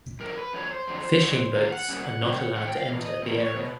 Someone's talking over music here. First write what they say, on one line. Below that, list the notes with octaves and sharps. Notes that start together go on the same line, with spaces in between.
Fishing boats are not allowed to enter the area.
F2 D3 F#3 A#4
B4
F2 D3 F#3 C#5
C5
F2 D3 F#3
F2 D3 F#3
C3 D#3 F5
F#5
C3 D#3 G3 A#3 C#4
C3 D#3 G3 A#3 C#4
C3 D#3 F#5
G5
F5
E2 B2
D#5
E2 B2
C#5
B2